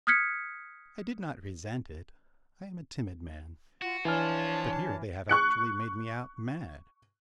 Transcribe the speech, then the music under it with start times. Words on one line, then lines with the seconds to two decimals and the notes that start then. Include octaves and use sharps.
I did not resent it, I am a timid man; but here they have actually made me out mad.
0.07 D#6 F6 F#6 G#6 B6 C#7
3.82 F4 F#4 F#5
4.05 E3 F3 D4 F4 C#5 G#5 A5 F6
5.29 C#6 F#6 C#7